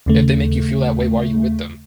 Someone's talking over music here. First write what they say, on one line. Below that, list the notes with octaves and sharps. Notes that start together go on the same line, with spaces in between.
If they make you feel that way, why are you with them?
D#2 C#3 A3